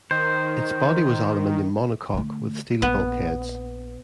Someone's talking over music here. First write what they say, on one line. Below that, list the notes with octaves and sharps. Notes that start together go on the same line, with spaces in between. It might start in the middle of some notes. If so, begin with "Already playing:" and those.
Its body was aluminium monocoque with steel bulkheads.
D#3 C5
D3 A3
A#1 B3